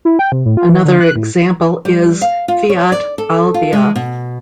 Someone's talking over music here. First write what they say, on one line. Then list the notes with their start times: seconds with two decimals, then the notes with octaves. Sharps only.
Another example is Fiat Albea.
0.05 E4
0.19 G5
0.32 C3
0.46 A2
0.57 F4
0.69 E3
0.85 D3
1.00 F#6
1.16 A2
1.85 G3
2.22 F5
2.48 F4
2.70 C#5
2.92 D5
3.18 A4
3.54 F4
3.73 G#3
3.96 B2